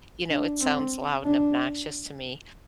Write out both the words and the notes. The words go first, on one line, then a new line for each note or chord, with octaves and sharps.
you know, it sounds loud and obnoxious to me,
D4
C4
D4